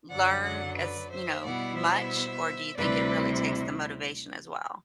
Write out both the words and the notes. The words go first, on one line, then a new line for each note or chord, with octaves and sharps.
learn as, you know, much? Or do you think it really takes the motivation as well?
F#2 D3 F#3 D5 F#5
D5 F#5
B4 D5
C5 E5
B2 G3 B3 E4 D5 F#5
C5 E5
D2 C3 G3 C4 E4 B4 D5